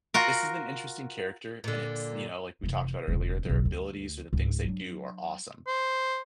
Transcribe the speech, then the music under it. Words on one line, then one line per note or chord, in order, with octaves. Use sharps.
this is an interesting character, and it's you know, like we talked about earlier, their abilities or the things they do are awesome,
F4 F#4 A#4
A#2 D3
F1 E3
E1 C#3
F#1 B1
D2
C#2 G#2
F#3 D4
C5